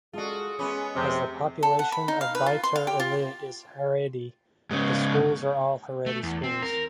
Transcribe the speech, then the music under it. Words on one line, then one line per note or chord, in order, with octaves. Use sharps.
As the population of Beitar Illit is Haredi, the schools are all Haredi schools.
G#3 F4 F#4 G#4 A4 D5
G#3 B3 C#4 G#5 B5 D6
F1 C3 D#6
A4
F#5
B5
D#4
F5
B4
F4
C6
F5
G4
F4
G#2 C#3
A3
E2
C4
A#4